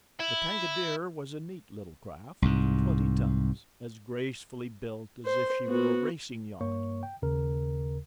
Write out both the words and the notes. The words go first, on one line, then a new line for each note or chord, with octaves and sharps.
The Tankadere was a neat little craft of twenty tons, as gracefully built as if she were a racing yacht.
E4
C2 G#2
C5
B3 F#4
G2 A#3 C#5 C#6
G5
D#2 C#3 A#4